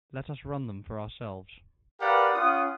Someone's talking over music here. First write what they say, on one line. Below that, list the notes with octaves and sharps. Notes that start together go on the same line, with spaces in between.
Let us run them for ourselves.
G4 A#4 B4 D5 F5 F#5
C#4 F4 F#5 D#6